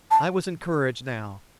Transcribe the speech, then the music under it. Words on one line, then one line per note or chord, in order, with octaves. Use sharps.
I was encouraged now.
A5